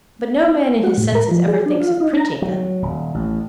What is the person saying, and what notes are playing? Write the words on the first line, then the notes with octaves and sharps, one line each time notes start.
But no man in his senses ever thinks of printing them.
F#4
A2
A#4
F3
G#4
D4
F4
D#4
A#5
F#3
D#1
A1